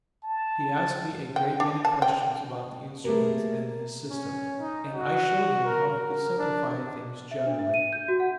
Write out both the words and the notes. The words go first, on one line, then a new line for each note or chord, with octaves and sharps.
He asked me a great many questions about the instruments and his system, and I showed him how he could simplify things generally.
A5
G5
D4
A5
G5
A3 A#3 G4 G#4 A#4 B4
C#4
D#4
F#4
A#4
A#4
D4
E5
D4
E5
D#7
G6
F#4
F#5